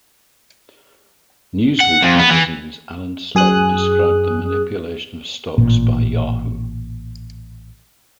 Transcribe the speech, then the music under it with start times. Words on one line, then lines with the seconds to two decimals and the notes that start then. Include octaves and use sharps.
"Newsweek" magazine's Allan Sloan described the manipulation of stocks by Yahoo!
1.80 F#5
2.02 F2
2.19 B3
2.31 E3
3.35 F#2 G#4 D#6 F#6
5.58 A1 A#2